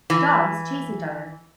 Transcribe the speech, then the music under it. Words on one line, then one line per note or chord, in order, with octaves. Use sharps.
Dogs chase each other.
E3